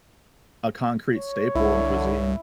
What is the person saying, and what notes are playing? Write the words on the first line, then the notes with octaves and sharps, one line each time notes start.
a concrete staple in cuisine.
C#5
C2 D3 E4